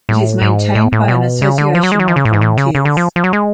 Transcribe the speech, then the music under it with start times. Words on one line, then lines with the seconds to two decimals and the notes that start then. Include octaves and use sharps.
It is maintained by an association of volunteers.
0.09 A2
0.42 G#2
0.75 A2
0.92 A2
1.08 B2
1.42 C#3
1.58 D3
1.75 F3
1.83 F#3
1.92 G#3
1.99 F#3
2.08 F3
2.16 C#3
2.25 A2
2.33 G#2
2.41 A2
2.57 C#3
2.75 C#3
2.85 D3
2.97 F3
3.16 F3
3.24 F#3
3.33 G#3